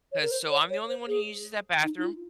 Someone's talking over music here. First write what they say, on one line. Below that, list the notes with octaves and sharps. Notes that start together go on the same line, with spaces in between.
'cause so I'm the only one who uses that bathroom,
C#5
A#4
C5
C#5
C#5
C5
G#4
D#4
D#4
F4